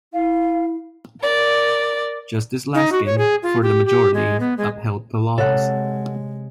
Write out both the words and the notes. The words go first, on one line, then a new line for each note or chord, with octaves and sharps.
Justice Laskin, for the majority, upheld the laws.
E4 F5
A#4 D5
D#4
F#4
C#5
G#4
F4
G4
G4
G#3
B3
G#3
C3 G#3 A4 C#5 F#5